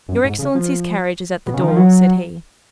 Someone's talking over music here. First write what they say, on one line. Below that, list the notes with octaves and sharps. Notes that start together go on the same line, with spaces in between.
"Your excellency's carriage is at the door," said he.
F#2
G#2
C#3
F3
B2
C#3
D#3
F3
F#3